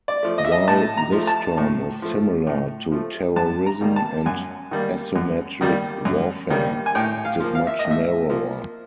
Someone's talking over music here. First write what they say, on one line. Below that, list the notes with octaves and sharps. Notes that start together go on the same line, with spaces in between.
While this term is similar to terrorism and asymmetric warfare, it is much narrower.
D5
F3 A3
D#5
E5
D#5
A2 A5
A#5
F3 A3
A5
A2
F3 A3
A2
F3 A3
F#2 A5
A#5
D#3 G3 A#3
A5
F#2 G#5
D#3 G3 A#3
F#2
D#3 G3 A#3
F#2
D#3 G3 A#3
G#5
A2 G5
F5
F3 A#3
F5
E5
D#5
A2
E5
F3 A#3